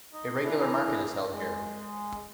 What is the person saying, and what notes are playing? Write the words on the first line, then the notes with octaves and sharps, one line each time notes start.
A regular market is held here.
D#4 D#5
E3 D4 E4 G#4 A#5
G#3